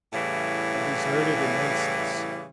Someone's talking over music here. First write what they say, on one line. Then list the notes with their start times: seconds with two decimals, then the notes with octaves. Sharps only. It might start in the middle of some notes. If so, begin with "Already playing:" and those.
A deserted immenseness.
0.13 A2 C#3 E3 G3